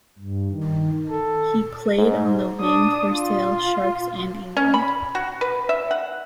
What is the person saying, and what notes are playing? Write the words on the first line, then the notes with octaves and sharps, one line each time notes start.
He played on the wing for Sale Sharks and England.
G2
D#3
A4
G#2
D4 D#6
F4
C#4
B5
F#4
B4
E5
F#5